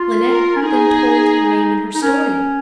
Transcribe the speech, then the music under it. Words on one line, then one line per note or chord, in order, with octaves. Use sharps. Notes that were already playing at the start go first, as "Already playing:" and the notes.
Lineik then told her name and her story.
Already playing: F4
A#4
C#4
D#4 G#4
D#4
C#4 A#4